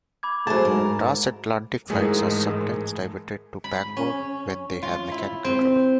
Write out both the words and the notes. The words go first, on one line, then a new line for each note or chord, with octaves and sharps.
Transatlantic flights are sometimes diverted to Bangor when they have mechanical trouble.
B5 D6 G#6
F#3 A3 G#4 C5 A5
G#2 A#4
G#2 D#3 E3 G#3 A3 G#4
B5
C#4
F4
E4
C4